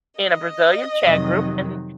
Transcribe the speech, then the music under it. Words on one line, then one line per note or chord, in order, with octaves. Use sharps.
in a Brazilian chat group, and
D#5
F2 C3 D#3 F#3